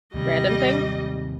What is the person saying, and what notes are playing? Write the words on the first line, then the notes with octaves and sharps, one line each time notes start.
random thing?
D#2 C3 G3 D#5